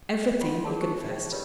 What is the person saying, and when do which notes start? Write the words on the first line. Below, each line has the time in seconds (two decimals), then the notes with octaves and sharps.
"Everything," he confessed.
0.23 D#5
0.41 F4 F#5 G5 C6
0.64 D4 G#4 A#4 C#5 E5 A5
0.81 D#4 C5 G#5 C#6
1.09 C5 F5 G5
1.32 F4 G4 A#4 B4 C#5 E5